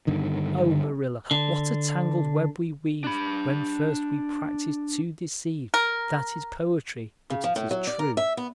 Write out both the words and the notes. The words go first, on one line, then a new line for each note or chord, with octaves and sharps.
Oh, Marilla, 'what a tangled web we weave when first we practice to deceive.' That is poetry, but it is true.
G2 D3 D#3
D3
D4 B5
A#4
C#3
F3
A2
F#3
D5
A#4
E5
B3